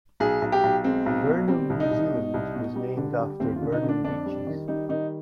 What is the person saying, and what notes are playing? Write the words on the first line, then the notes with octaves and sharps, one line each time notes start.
Burnham, New Zealand was named after Burnham Beeches.
B1 G#4
B1
G4
B1
G#3 C4
B1
B2
G3 C4
C2
D#4
C2
B2
C2
B2
G3
D3
G3
D#2 C4
F4
D3
D#4
D3
D4
F2 D4
G3
D#3
G3 D#4
D#3 D#4